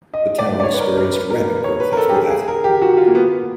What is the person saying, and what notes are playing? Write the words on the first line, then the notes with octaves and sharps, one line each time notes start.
The town experienced rapid growth after that.
D#5
D5
D5
C#5
B4
A#4
A#4
B4
A#4
B4
C#5
B4
A#4
A4
G4
G#4
G#4
A#4
G4
F#4
F4
A#3
B3